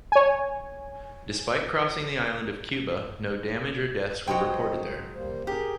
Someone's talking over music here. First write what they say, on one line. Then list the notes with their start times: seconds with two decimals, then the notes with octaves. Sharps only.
Despite crossing the island of Cuba, no damage or deaths were reported there.
0.12 C#5 G#5
4.27 F#3 G#3 C5 D#5 G5
5.15 G3 A#3 C5
5.47 G4 G#4 A#4